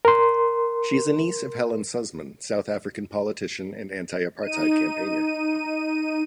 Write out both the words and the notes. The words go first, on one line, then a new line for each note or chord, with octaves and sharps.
She is a niece of Helen Suzman, South African politician and anti-apartheid campaigner.
A#4 C6
D#4 D#7